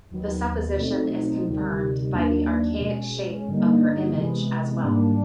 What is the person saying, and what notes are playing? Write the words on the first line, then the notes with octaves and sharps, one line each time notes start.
The supposition is confirmed by the archaic shape of her image as well.
D#2 D#3 F#3 B3
B2 F#3 A3 C4 D#4
D2 C3 D#3 G3
D#2 D#3 F#3 A#3 D4
B2 G#3 C#4
G2 D3 G3 A#3 D#4
C3 E3 G#3 B3
G#2 D#3 G3 A#3 D4